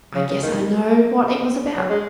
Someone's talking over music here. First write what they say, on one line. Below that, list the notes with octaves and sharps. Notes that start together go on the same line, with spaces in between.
'I guess I know what it was about.'
C#3
C#3
D#3
F#3
G#3